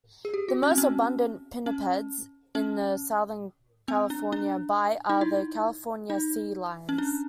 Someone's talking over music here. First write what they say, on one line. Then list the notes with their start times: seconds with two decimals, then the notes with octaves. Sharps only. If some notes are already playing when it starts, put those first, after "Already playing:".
The most abundant pinnipeds in the Southern California Bight are the California sea lions.
0.25 G#4
0.34 G4
0.48 F#4
0.63 C#4
0.71 C4
0.78 C#4
1.66 C#4
2.55 C#4
3.88 C4
4.10 D4
4.32 D4
5.10 D#4
5.21 E4
6.10 D#4
6.89 C#4
6.98 D4